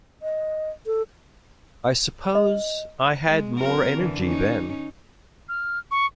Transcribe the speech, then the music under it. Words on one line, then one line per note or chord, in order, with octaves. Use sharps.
I suppose I had more energy then.
D#5
A4
D#5
G#3
F#3 C4 A#4
D3 E3
C#4 D#4
F6
C#6